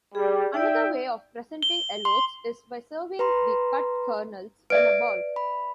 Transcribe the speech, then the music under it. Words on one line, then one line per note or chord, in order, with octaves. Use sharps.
Another way of presenting elotes is by serving the cut kernels in a bowl.
G3 G#4
D#4 D5 E5 G5
G7
C6
B4 A#5 C6
B4 D5 E5 D7
B5